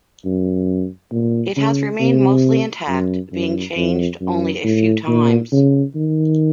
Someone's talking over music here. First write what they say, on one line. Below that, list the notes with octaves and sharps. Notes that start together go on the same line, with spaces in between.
It has remained mostly intact, being changed only a few times.
F#2
A#2
C#3
C3
F#2
F#2
F2
F#2
A2
A#2
C#3
D#3